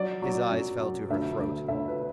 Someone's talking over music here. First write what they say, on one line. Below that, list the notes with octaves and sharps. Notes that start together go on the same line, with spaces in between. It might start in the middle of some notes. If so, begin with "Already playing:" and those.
His eyes fell to her throat.
Already playing: F#3 D5
F#3
F#2
F#3
D2 E5
D2
D2 E5
B4